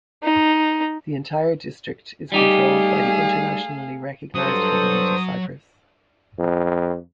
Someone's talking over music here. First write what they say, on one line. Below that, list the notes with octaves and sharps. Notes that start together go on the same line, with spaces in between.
The entire district is controlled by the internationally recognized government of Cyprus.
D#4
G3 A3 D#4 G4 G#4 F5
G2 F#3 A4 C5 D#6
F2